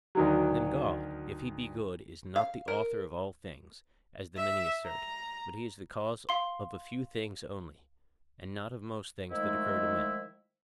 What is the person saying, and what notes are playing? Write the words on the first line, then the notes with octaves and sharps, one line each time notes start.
Then God, if he be good, is not the author of all things, as the many assert, but he is the cause of a few things only, and not of most things that occur to men.
D2 D#3 F#3
F5
A#4
E5
A#5
F5 C6
D#3 F3 G#3 A3 D#4 E4